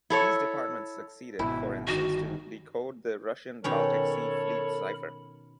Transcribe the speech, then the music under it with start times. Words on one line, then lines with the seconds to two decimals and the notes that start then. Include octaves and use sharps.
These departments succeeded, for instance, to decode the Russian Baltic Sea Fleet cipher.
0.10 E4 A4 C#5
1.39 G#1 B2 E4
1.87 G1 D#3 F#4
3.64 B2 D#3 C#4 A4 A#4 C#5 B5